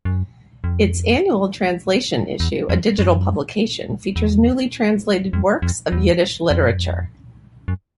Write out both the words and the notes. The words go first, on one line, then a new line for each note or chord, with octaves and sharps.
Its annual translation issue, a digital publication, features newly translated works of Yiddish literature.
F#2
F2
E2
F2
F#2
E2
F2
F2
E2
F2
F#2
F2
F#2